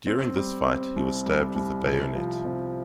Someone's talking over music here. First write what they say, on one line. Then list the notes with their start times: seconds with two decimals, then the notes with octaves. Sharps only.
During this fight he was stabbed with a bayonet.
0.07 C4
0.36 G3
0.66 C4
0.96 C2
1.26 G3
1.56 C2
1.85 C3
2.16 F3
2.45 C3